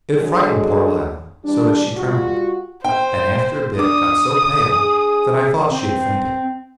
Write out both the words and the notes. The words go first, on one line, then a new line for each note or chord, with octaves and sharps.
It frightened poor Lilla so that she trembled, and after a bit got so pale that I thought she had fainted.
D3 F#3 G#3 D4 G#4
E3 G3 D4
G3 F4 F#4
C5 G5
D4 D6 D#6
G#4
C4